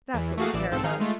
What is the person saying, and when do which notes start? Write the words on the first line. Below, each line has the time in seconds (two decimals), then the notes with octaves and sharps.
That's what we care about.
0.14 E2 E3
0.37 A3 A#3 F#4 G#4 F5
0.53 A1 E3 D5 E6
0.71 B1 G#2 C4 A4 E6
0.83 D#3 D#4 G#4 F6
1.00 G#3 A3 F4